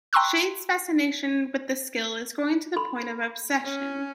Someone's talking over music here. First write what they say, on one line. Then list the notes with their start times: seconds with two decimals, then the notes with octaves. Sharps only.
Chade's fascination with the Skill is growing to the point of obsession.
0.13 G5 A#5 C6 C#6 E6 F#6
2.76 A4 B5 C6
3.64 C#4